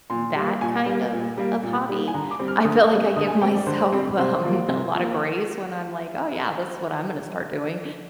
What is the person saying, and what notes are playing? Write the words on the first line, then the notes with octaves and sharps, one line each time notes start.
that kind of of hobby. I feel like I give myself, um, a lotta grace when I'm like, "Oh, yeah, this is what I'm gonna start doing."
A#2 C6
G3 A#3
A#2 G#5
G3 A#3
A#2
G3 A#3
A#2
G3 A#3
G#5
D3 A#5
D6
G3 C4
F6
D3 D#6
G3 C4
D3 D#6
G#5
G3 C4 G5
D5
D3 C5
G3 C4
C3 C5
F3 A#3
C3
F3 A#3